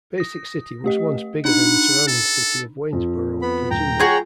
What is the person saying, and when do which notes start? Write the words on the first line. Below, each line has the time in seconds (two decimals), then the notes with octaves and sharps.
Basic City was once bigger than the surrounding city of Waynesboro, Virginia.
0.18 D#6 A#6
0.84 A3 G4 D#5
1.45 D4 D#4 F#5
2.07 A4
2.93 F2
3.42 B3 B5
3.71 D#1 G5 A#5
4.00 F4 F#4 G#4 C#5